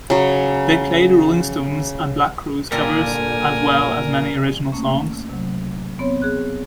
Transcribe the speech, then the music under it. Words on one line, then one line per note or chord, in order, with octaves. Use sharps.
They played Rolling Stones and Black Crowes covers as well as many original songs.
C#3 F#3
A#2 D3 G3 F4 A#4 G#5
A3 A#3 C#4
C3 F#3
B3 C4 C#5
G#4 F#6